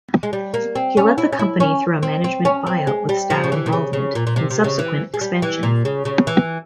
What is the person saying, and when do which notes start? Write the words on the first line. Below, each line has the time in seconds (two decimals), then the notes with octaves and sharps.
He led the company through a management buyout with staff involvement, and subsequent expansion.
0.23 G#3
0.33 G3
0.54 A#3
0.76 C4
0.97 C#4
1.18 E4
1.32 C#4
1.39 E4
1.60 C#4
2.03 C4
2.24 C4
2.45 C#4
2.67 C4
2.87 G#3
3.09 G3
3.30 F3
3.44 C#3
3.52 E3
3.66 C3
3.73 C#3
3.93 C#3
4.15 A#2
4.27 A#2
4.36 C3
4.51 C3
4.64 C#3
4.79 E3
5.14 G#3
5.21 G3
5.42 E3
5.63 A#2
5.85 C#3
6.05 C#3
6.27 E3